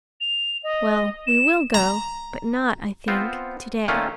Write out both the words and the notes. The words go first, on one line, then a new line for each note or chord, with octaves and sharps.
Well, we will go: but not, I think, to-day.
F7
D#5
E7
A#5
B3 C4 F4 C5
A#2 D#3 A3 A#3 C#4 F4